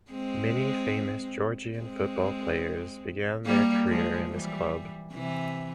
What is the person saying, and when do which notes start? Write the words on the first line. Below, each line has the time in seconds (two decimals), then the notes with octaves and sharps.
Many famous Georgian football players began their career in this club.
0.11 G#3 C4
1.78 G#3 C4
3.45 G3 A#3
3.87 F3 G#3
4.29 E3 G3
5.13 C3 E3